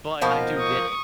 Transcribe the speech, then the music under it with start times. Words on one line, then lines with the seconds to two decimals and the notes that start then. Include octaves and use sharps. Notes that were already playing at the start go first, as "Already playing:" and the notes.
But I do get it.
0.22 B2 F3 A#3 D#4
0.58 C#6 D#6